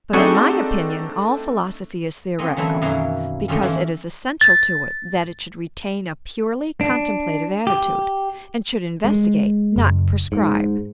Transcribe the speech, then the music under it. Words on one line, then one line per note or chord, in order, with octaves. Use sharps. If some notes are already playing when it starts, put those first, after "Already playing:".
But, in my opinion, all philosophy is theoretical, because it is essential to it that it should retain a purely contemplative attitude, and should investigate, not prescribe.
G3 A3 C4 D4 D#4 F#4 G#4 A4
F#3 A#3 C4 C#4 D#5
D3 E3 F#3 A3 C4 E4
F#2 B2 D#3 E3 F#3 A#3
D3 D#3 F3 C4 C#4
E3 F3
A6
D4
G4
G#3
F#1
G#2